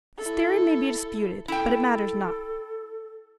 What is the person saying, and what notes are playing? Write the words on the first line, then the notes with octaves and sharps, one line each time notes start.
This theory may be disputed, but it matters not.
E4 A4
E4 A4 G5